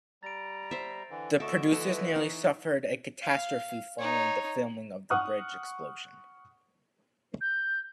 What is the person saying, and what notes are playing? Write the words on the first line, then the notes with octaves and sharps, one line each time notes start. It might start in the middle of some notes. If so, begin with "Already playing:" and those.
The producers nearly suffered a catastrophe following the filming of the bridge explosion.
G3 A#5 A6 D7
C5 E5 A#6
D3 E3
D2 D3 A4 D#5 E5 C#6 D7
E3 A4
D#4
F5
D#4 C#5
F#5 C#6 D#6 F6 F#6
G6